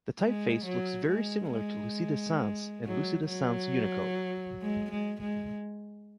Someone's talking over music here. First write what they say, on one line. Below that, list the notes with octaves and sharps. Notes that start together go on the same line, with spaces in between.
The typeface looks very similar to Lucida Sans and Lucida Sans Unicode.
G#3
F#3
G#3
G#3
F#3
F#3
G#3
G#3
G#3